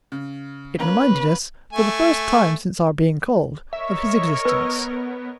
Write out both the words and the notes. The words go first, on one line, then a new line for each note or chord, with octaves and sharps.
It reminded us, for the first time since our being called, of his existence.
C#3
A#3 C#4 A#4 B4
A3 G#5
A#4 C#5 D#5 E5 C#6
B3 B4 E6